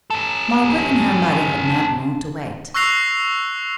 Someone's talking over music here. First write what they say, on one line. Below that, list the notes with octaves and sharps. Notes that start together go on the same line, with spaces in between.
Margaret and her mother had not long to wait.
C#4 A4
C#6 E6 F#6 A#6 C7 F7